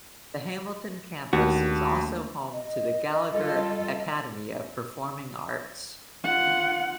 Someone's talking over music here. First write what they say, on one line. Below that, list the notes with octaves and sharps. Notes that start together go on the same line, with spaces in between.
The Hamilton campus is also home to the Gallagher Academy of Performing Arts.
D#2 A3 A#3 D4 F#4
D#5
G3 F4 A4
F4 F#5